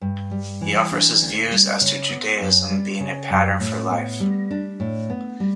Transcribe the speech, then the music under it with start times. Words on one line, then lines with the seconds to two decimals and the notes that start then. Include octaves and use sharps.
He offers his views as to Judaism being a pattern for life.
0.01 G2
0.31 G3
0.61 E3
0.92 D4
1.21 D2
1.51 G3
1.81 C#3
2.10 B3
2.41 F#2
2.70 G3
3.00 C#3
3.30 F#2
3.60 A2
3.90 B3
4.20 G3
4.51 D4
4.80 A2
5.10 B3
5.40 G3